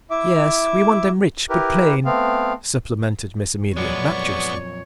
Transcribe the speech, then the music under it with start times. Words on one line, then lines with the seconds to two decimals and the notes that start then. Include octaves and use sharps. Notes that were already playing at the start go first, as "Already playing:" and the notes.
"Yes; we want them rich, but plain," supplemented Miss Amelia, rapturously.
0.11 E4 E5 D6
1.50 E4 G4 A#4 B4
2.05 A3 B3 C4 F5
3.77 F2 A#2 F#3 G#3 B3 C#5 D5 C#6